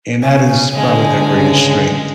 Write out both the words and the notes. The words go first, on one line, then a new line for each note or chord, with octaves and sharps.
and that is probably their greatest strength.
C#3 C#4 G#5
D3 G#3
C#3